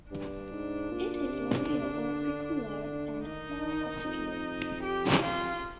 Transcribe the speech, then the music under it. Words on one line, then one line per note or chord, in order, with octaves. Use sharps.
It has loreal or preocular, and a small postocular.
G2 D4
G#2
A#2
C3
D3
C3
D3
D#3 D#4
D#3
F2
G4
F4